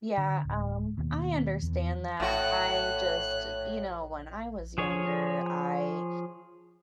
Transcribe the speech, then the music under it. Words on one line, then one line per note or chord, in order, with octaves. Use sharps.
Yeah, um, I understand that. I just you know, when I was younger, I,
D3
D1
D#2 B2
E2
A#1 A2 F#4 C#5 F#6
F3 G#4 C#5